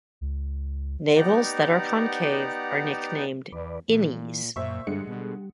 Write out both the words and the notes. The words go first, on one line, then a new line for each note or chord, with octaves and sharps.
Navels that are concave are nicknamed "innies".
C#2
B3 D#4 G4 D5 F#5 A#5
E2 B4 D5
A#2 E3
F#2 A#2 C5 E5 C#6
G2 D3 G3 G#3 C#7
B2 G3